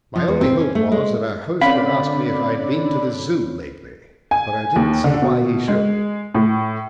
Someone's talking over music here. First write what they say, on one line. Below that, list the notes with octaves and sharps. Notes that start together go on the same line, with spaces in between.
My only hope was that our host would ask me if I had been to the Zoo lately, but I didn't see why he should.
F3
E2
C4
C#4
A3
G#3
D3 C4 C#4 C#5 D5 F5 B5
G#5
D#2
D3
B2
G#3
A2